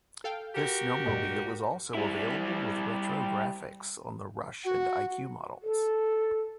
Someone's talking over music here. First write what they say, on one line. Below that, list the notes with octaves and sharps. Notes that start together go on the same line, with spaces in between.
This snowmobile is also available with retro graphics on the Rush and Iq models.
A4 F5 G5
F#4 G4 A#4
G2 A#2 G#3
G3 E4
F#4 F#5
A4